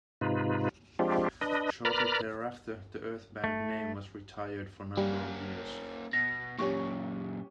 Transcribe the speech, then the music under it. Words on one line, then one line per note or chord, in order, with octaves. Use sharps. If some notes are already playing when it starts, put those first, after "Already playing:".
Shortly thereafter, the Earth Band name was retired for a number of years.
G#2 C3 D#4 F4 B4
F3 G#3 C4 D4 F4 G4
D4 B4 D#5
A#4 B4 D5 A#5 B5 F6
A3
G3 A#3 C#4
B2 A#6
F#2 A#2 C#4 G4 C#6